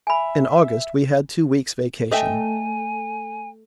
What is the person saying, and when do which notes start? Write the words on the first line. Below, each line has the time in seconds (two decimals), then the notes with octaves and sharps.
In August we had two weeks' vacation.
0.07 E5 G#5 B5
2.11 A3 D#5 E5 G5 G#5